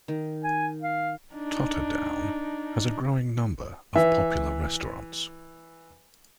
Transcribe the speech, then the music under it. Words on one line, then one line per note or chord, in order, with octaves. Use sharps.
Totterdown has a growing number of popular restaurants.
D#3
G#5
F5
D4 D#4
E3 E5